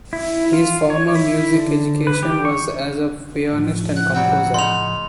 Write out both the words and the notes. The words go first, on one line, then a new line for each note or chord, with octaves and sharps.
His formal music education was as a pianist and composer.
E4
F4
C#5
E4
D3
B4
G4
C#6
A2 F3
F#5 F#6
F#3 G3 C4 F#5
C#3 D#4 C6 F7